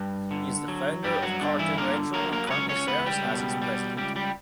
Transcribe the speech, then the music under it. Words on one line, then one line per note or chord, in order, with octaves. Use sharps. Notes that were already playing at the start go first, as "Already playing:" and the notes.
He is the founder of CartoonRetro and currently serves as its president.
Already playing: G2
D3
F#3
G2 G3 G4
F#3 F#4
G2 D3 D4
E3 E4
D3 A#3 A#4
F#3 A#3 A#4
A#3 A#4
B4
C#2 C#4 C#5
C#4 C#5
C#2 B3 B4
G3 G4
B2
G3
C#2 G3 G4
G3 G4